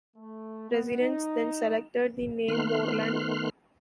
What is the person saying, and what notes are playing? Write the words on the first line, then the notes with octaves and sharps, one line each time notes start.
Residents then selected the name Moreland.
A3
B3
D#4
D#3 A3 B3 C6 F6 F#6